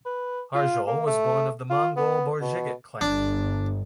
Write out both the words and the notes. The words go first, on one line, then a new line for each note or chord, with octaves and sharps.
Harjol was born of the Mongol Borjigit clan.
B4
F4
A#3
A3
F4
B3
B2
G1 D4